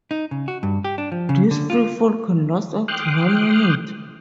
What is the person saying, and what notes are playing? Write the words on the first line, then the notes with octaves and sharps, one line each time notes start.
This freefall can last up to one minute.
D#4
C#3
F#4
G2
G4
D4
F3
C#3
D3
F4
G5 C6 D6 D#6 F6 F#6